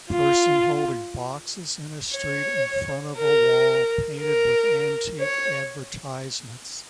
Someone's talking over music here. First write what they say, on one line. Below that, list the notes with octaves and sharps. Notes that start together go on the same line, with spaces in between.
Person holding boxes in a street in front of a wall painted with antique advertisements.
F4
C#5
A#4
A#4
C#5